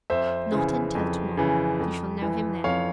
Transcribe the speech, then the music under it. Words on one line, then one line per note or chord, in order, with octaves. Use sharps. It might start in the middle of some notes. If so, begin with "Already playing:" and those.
"Not until to-morrow--you shall know him then."
F2 C5 E5
C#3 E3
F2
C#3 E3
F2
E3
F2 C#5 F5